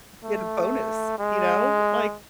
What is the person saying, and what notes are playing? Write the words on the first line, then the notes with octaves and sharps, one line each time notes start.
get a bonus, you know, like
A3
G#3